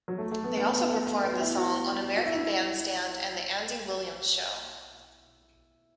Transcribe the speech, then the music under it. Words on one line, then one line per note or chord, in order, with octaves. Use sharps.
They also performed the song on American Bandstand and the Andy Williams Show.
F#3
A3
A3
B3
B3
B3
A3
A3
B3
F#4
E4
F#4
F#4
E4